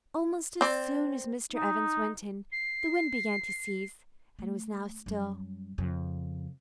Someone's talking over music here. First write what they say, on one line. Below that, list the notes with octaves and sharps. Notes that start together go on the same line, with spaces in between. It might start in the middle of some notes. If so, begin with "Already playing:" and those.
Almost as soon as Mr. Evans went in, the wind began to cease, and was now still.
C4 D5
D#4
C7
A3
F#2 G3
F2 C#3